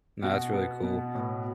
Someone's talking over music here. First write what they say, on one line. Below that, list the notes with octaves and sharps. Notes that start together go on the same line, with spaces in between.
Nah, that's really cool.
B2 F#4
B3
B2
A2